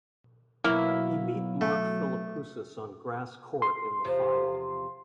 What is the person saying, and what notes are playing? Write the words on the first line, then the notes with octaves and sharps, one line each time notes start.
He beat Mark Philippoussis on grass court in the final.
B2 F#3 A#3 E4 E5
A3
C6
E2 C3 F3